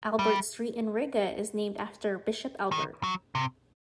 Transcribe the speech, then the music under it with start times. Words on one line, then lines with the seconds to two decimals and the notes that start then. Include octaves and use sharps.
Albert Street in Riga is named after Bishop Albert.
0.19 G3
2.72 D#3
3.03 F#3
3.35 C3